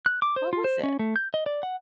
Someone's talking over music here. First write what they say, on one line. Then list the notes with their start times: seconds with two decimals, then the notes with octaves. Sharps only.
What was it?
0.06 F#6
0.22 D6
0.36 C5
0.53 F4
0.64 C5
0.83 C#4
0.99 A3
1.16 G6
1.34 D#5
1.46 D5
1.63 F#5